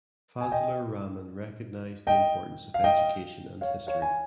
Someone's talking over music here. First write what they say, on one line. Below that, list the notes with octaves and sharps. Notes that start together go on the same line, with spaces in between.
Fazlur Rahman recognised the importance of education and history.
G#5
D#5 G5
D#5 G5
F5
D#5 G5
C#5 F5
C#5 F5
G#5